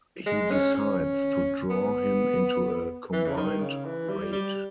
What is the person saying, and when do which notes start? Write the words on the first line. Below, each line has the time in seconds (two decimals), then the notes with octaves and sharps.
He decides to draw him into a combined raid.
0.26 G#3
0.51 C#4
0.75 C#4
1.70 B3
3.13 E3
3.27 C#3
3.37 D#3
3.60 C#3
3.85 E3
4.09 G3
4.32 G3